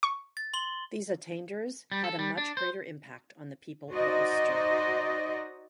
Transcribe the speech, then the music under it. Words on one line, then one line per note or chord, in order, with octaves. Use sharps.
These attainders had a much greater impact on the people of Ulster.
C#6
A6
C6 F#7 G7
G3
A4
G3
D4
C5
D#4 F#4 C5 D5 D#5